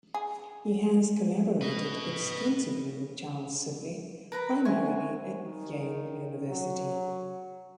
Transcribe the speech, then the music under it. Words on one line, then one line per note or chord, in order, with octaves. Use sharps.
He has collaborated extensively with Charles Sibley, primarily at Yale University.
G#4
B4 D#5
A#4 B4 A#5
C5 E5 G#5 C#6
D#3
F#3